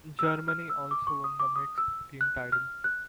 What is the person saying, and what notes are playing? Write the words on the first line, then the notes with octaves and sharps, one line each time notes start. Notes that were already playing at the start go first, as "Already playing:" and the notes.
Germany also won the mixed team title.
E6
F6
F6
E6
D6
C#6
D#6
D6
D#6
E6
F#6
F6
F#6